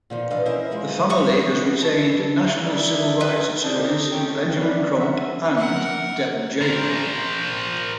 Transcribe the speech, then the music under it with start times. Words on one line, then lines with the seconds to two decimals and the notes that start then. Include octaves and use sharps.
The family has retained national civil rights attorneys Benjamin Crump and Devon Jacob.
0.10 A#2 D#3 F3
0.30 B2 E3 D4 B4 D#5 F5
0.45 C#4 E4 A#4 C5 D#5 E5
0.71 F3 G#3 D#4 E4
1.10 E3 B3 F#4 B4 C#6 D#6
1.82 A4 A5
2.43 E4 A#5
2.61 G#4 D5 E5
3.21 F#2 B4
3.63 E4 G#4 D5 A5
3.75 D#4 G4 A4 A#4 C5 D#5
4.12 D#3 A3 C#4 A4 C#5 G5
4.58 B3 C#4 D4 A#4 B4 B5
5.00 E5 F#5
5.57 A#4 F#5
6.62 A#4 C5